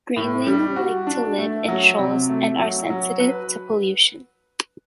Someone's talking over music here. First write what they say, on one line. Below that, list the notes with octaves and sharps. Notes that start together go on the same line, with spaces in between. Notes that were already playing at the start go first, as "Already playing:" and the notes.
Grayling like to live in shoals and are sensitive to pollution.
A2
G3
F#4
D4
A3
F#3
C3
A3
F#3
F#3
B4